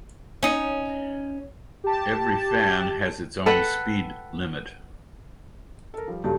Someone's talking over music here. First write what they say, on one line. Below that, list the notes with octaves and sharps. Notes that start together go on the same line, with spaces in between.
Every fan has its own speed limit.
C#4 D#4
G4 A5
A4 B4 F#5 G5
A4 A#4
F3 G3
G2 C#3 F#3 G4 A4 A5